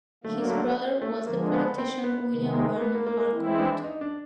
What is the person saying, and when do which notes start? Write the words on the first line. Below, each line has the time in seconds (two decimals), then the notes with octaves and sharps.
His brother was the politician William Vernon Harcourt.
0.24 D3 F#3 A3 A#3
0.50 A3
1.02 A3
1.27 D3 F3 G#3 A#3
1.53 B3
1.78 C4
2.04 B3
2.29 C3 D#3 G#3
2.76 A#3
2.81 B3
2.95 A#3
3.07 A#3
3.20 A#3
3.33 E3 G#3 C4 E4
3.59 D4
3.84 D#4
4.01 D4